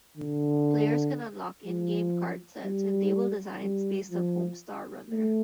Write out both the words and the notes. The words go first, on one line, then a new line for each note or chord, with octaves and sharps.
Players can unlock in-game card sets and table designs based on Homestar Runner.
D3
F3
G3
G3
F3
A3